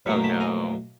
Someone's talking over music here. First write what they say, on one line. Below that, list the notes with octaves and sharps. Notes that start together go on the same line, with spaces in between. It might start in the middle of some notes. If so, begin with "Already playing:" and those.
Oh, no.
B1 A2 F#3 A#3 B5 C#6
A5 B5
G#5 A#5